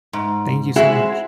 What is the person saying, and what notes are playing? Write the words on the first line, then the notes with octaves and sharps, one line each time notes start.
Thank you so much.
G#2
G#3 C4 E4 F#4 G#4